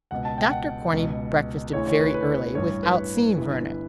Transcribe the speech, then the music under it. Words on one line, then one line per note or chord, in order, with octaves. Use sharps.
Dr Corney breakfasted very early, without seeing Vernon.
C#2 B2 F#5
A5
G5
F#5
C#2 B2
D2 C#3 E3 C#5
C#5
B4
B4
A1 G2 E3 C#5
B4
G1 G2 E3